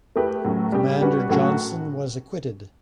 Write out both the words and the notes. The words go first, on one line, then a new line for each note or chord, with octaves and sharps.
Commander Johnson was acquitted.
A3 E4 G4 B4
A2 F#3 C#4
G3 C#4 G4
G3 C#4 F#4 B4
A2 F#3 A3 C#4 F#4